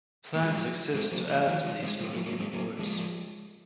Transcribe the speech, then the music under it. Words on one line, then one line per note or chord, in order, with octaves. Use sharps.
Plans exist to add to these running-in boards.
A#3
F3 G#3
G#3 C4
F#3 A#3
F3 G#3
D#3 F#3
F3 G#3
G#3 C4
F3 G#3
F#3 A#3
F#3 A#3
G#3 C4
F#3 A#3
F3 G#3